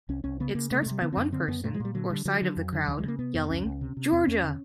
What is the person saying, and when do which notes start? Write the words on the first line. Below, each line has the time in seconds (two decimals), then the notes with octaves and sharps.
It starts by one person, or side of the crowd, yelling Georgia!
0.09 C2 C#4
0.24 C2 C#4
0.40 C#3 B3
0.55 C#3 A#3
0.71 C3 A3
0.82 A3
0.86 C3 G3
1.02 D3 B3
1.13 C4
1.17 F#2
1.22 C#4
1.32 D3 C4
1.48 F#2 B3
1.64 A#2 A3
1.74 G#3
1.80 A#2 G3
1.94 D3 F#3
2.10 D3 G3
2.25 D3 F#3
2.42 D3
2.57 F2
2.73 D3
2.88 D2 D3
2.98 G#3
3.03 C#3 A#3
3.19 C3 B3
3.34 F2
3.50 C#2 C#4
3.65 C#2
3.81 C3
3.97 C3
4.12 E2 C4
4.27 E2 C#4
4.43 D3